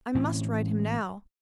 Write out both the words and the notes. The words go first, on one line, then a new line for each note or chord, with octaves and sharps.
I must ride him now.
A2 E3 C4 C#4